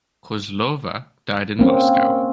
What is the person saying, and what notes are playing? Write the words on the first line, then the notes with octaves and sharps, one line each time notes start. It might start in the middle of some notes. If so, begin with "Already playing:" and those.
Kozlova died in Moscow.
A#3 C4 C#4